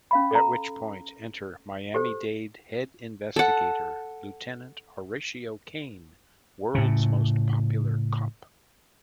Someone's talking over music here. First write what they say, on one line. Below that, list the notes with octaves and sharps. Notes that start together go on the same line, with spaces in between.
At which point, enter Miami-Dade Head Investigator, Lieutenant Horatio Caine, world's most popular cop.
C#4 F5 B5
A4 A#5
G4 A4 C5
A4 F#5
A2 C#3